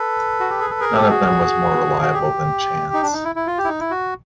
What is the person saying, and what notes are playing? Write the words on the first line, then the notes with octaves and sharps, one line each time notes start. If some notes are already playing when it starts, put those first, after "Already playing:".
None of them was more reliable than chance.
Already playing: A4 B4
F#4
G4
G#4
A4
G#4 A#4
G4 A4
F#4 G#4
F#4
G4
D#4
D4
D#4
E4
E4
F4
G4
E4
D#4
E4
F#4